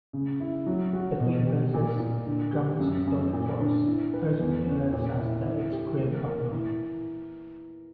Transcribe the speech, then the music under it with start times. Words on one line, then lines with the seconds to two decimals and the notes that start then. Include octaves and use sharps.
Between verses, Drummond's distorted voice urgently alerts us that "It's grim up north".
0.13 C#3
0.40 E4
0.66 F#3
0.93 F#4
1.20 B2
1.47 G4
1.74 A#2
1.99 A#2
2.26 D3
2.53 G4
2.80 F#2
3.07 F#2
3.33 A#2
3.60 D4
3.86 E3
4.14 B4
4.40 E2
4.66 C#4
4.93 A#2
5.19 E4
5.46 E3
5.72 G4
5.99 A#3
6.26 A#4
6.52 E3